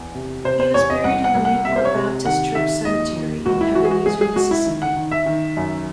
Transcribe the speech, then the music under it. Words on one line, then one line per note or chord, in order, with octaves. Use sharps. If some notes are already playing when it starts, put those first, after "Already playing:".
He was buried in the Newport Baptist Church Cemetery, in Ebenezer, Mississippi.
Already playing: E2
C3
C3 C5
C5
E2 C#5
D#5
C2 F#5
F#5
C2
F#5
C3 E5
C5
C#5
C3
D#3 F#5
D#3 E5
D#2 D#5
D#2
C#2 F#4
E4
E3 F#4
G#4
F#4
C#2 G#4
G#4
C#2 F#4
E4
D#3
F#5
D#3
E5
D#3
F#2